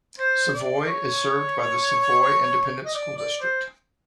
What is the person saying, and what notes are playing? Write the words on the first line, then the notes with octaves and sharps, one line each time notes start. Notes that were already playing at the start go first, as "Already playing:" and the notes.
Savoy is served by the Savoy Independent School District.
C5
D5
C#5
D#5
D5
D5
C5